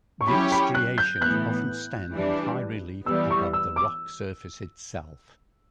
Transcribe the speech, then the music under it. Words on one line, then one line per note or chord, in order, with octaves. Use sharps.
These striations often stand in high relief above the rock surface itself.
C#6
F#3 C#4 E4 G4 C#5 B5
B5
F#6
G6
A2 E3 B3 F#6
E3 G3 D4
E3 G3 B3 E6
C#6
E6
D6